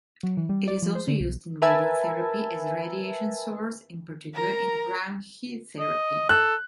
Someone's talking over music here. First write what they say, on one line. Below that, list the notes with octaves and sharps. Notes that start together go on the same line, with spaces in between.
It is also used in radiotherapy as a radiation source, in particular in brachytherapy.
F#3
E3
G3
D5
F3
C5
D3
B1
A#4 B4 E5 G#5 A5
A#4 A#5
D#5
A4 F#6